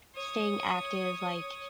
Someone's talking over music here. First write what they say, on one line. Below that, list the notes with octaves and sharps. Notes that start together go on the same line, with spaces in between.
staying active, like,
C#5 D#6